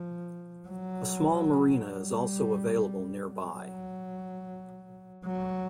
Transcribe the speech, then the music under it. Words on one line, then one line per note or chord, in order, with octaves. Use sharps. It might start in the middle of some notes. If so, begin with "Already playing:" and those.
A small marina is also available nearby.
Already playing: F3
F#3
G3
F#3
F#3